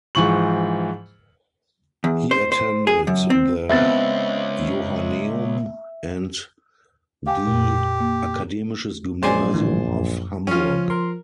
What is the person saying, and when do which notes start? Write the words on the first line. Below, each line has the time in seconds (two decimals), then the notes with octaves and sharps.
He attended the Johanneum and the Akademisches Gymnasium of Hamburg.
0.15 G#2 E3 F3 C#6 F#7
2.04 E2
2.31 C5
2.52 C5
2.87 G#4
3.07 F#2
3.30 C4
3.69 C#2 B3 C4 E5 A6
7.27 G4 F5 G5 G#5
7.47 F2 A#2
8.00 A#3
9.23 A#1 F#3 G#3 C#4 C5 D5 G#5
9.53 A2 D3 E3
9.88 F#2
10.47 F3 C#4 F4 C#5
10.90 A#4 C6